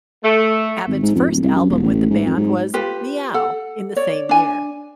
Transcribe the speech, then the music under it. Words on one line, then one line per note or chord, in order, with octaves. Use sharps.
Abbott's first album with the band was "Miaow" in the same year.
A3
G#1
G#2
F2
D1
C2
F#2
E1
A1
G#2
F2
G#2
F4 G4 B4
A4 F#5
C#5 D5
D4 G#5